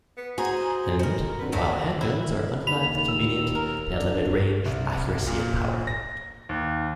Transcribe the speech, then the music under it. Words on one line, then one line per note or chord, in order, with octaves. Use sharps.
And, while handguns are undeniably convenient, they had limited range, accuracy and power.
B3
F#4 G#4 C5 G#5 A#5
D#3 A#4 C5 C#7
D3 C4 B4
D#3 F#3 A3 D4
E4
D#2 B5 F7
E6
A#4
D4
C2
A#2
A#6
D#2